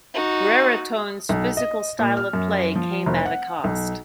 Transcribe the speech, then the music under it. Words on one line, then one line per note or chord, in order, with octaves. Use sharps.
Brereton's physical style of play came at a cost.
D#4 F#4
B1
D#5
A#2
F6
F#2
F3
F1
F#5
B1